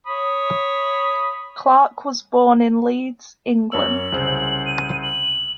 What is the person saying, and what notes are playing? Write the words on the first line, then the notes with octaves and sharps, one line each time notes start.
Clark was born in Leeds, England.
C#5 B5 D#6
F#2 C#5 E6 F#7
C2 C#3 C5
D#7
F#7